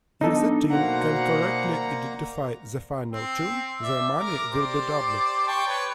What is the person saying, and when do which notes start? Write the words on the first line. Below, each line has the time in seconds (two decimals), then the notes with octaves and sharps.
If the team can correctly identify the final tune, their money will be doubled.
0.21 F#3 B3 D4 D#4 A4
0.70 B2 A#3 C5 D5 F#5 A#5 C6
3.11 C4
3.81 D5 E5
4.19 A#4 A#5 D6
4.52 G4 C5 D5
5.47 G5 A5 C#6
5.67 B4 C#5